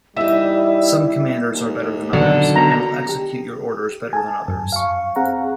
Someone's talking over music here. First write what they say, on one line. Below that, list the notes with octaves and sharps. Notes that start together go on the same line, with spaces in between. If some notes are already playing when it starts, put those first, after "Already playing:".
Some commanders are better than others and will execute your orders better than others.
E2 G3 D#4 E4 E5
D#2
B1 D3 D#3 F#3
B2 A#5
G4
G#5 A5
F#2
F5 C#6
C4 G#4 F5 F#5 A#5